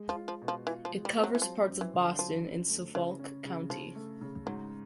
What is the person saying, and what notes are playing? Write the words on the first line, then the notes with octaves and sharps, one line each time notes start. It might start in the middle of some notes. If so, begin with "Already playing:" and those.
It covers parts of Boston in Suffolk County.
Already playing: G#3
F3
F4
F3
B2
F3
E3 F4
F3
G#3
G3
C4
F#3
E3
F3 F#3
F#2
E3
D3
F3 F#3
F#2
A3
C#3 E3
C#4
C#3
C#3 F3
A3
C#3
G#2 F#3